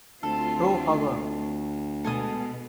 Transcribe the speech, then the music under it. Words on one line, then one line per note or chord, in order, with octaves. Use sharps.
Pro Hour.
D2 A3 C4 F4 A4
B2 G#3 A4 G#5 D#6